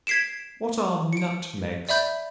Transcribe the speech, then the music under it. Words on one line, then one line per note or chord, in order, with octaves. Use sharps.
What are Nutmegs?
G#6 B6 C7 D7 E7
C#7 D7
D5 E5 B5 G6